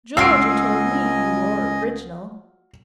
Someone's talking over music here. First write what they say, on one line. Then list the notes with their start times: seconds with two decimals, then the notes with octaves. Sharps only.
'Georgey told me you were original.
0.17 C#2 F4 F#4 D#5 G#5 C6 E6 D7